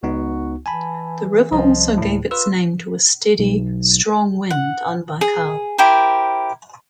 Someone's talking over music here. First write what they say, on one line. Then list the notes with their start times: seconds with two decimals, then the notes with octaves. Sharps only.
The river also gave its name to a steady, strong wind on Baikal.
0.03 C#2 B3 D#4 F#4
0.66 E3 G#5 A5 B5
1.52 C2 F3 D#5
1.97 D2 A2
2.31 F4 B4 E6
3.39 B1
4.50 F#5
5.21 G#4
5.78 E4 G4 A#4 C5